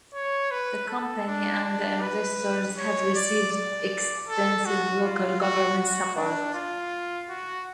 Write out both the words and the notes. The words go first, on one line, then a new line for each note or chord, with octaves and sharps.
The company and the investors have received extensive local government support.
C#5
B4
A4
D4
D4
B4
C#5
D5
D5
A4
F#4
F4
F#4
F#4
D4
F4
F#4